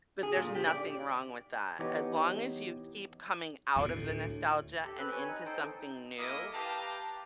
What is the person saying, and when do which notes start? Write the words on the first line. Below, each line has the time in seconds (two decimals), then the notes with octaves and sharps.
But there's nothing wrong with that, as long as you keep coming out of the nostalgia and into something new,
0.23 G#4
0.36 A#2
0.55 G4
0.67 D5
1.79 E3 B3 D#4 G4 C#5 D#5
3.76 D2 A2
4.83 G4 A4
4.98 C4 B4 F#6
5.12 B4 C#5 G#5
5.29 D#4
5.46 D#4 A4 C5 G5
6.19 A#3 E4 A4 D#5 D#6
6.53 G4 B4 F5 G5 A5 A#5